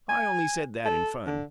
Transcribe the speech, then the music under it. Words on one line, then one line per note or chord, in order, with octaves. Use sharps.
"I only said that in fun."
G#5
A4
D3